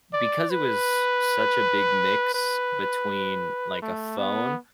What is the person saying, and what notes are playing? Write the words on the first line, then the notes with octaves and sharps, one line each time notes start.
because it was such a big mix between, like, a phone
D5
B4
B4
A3
B3